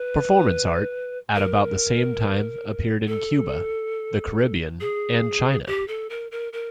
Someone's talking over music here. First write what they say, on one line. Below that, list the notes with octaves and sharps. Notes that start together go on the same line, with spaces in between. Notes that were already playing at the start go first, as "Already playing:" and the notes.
Performance art at about the same time appeared in Cuba, the Caribbean and China.
Already playing: B4
A#4
A4
G#4
G4
A4
A#4
A#4
A#4